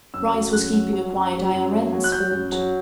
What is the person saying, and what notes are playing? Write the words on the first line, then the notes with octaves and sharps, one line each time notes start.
Bryce was keeping a quiet eye on Ransford.
F#2 E6
F#3
F#2 F#6
F#3
F#3
F#2
F#3
F#2
F#3
F#3
F#6
F#3 G6
F#2
F#3